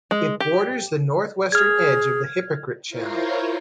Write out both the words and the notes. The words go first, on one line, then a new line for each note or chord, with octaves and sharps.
It borders the northwestern edge of the Hypocrite Channel.
G#3
G4
G#4 F6 G#6
E4 F4 A#4 C5 C#5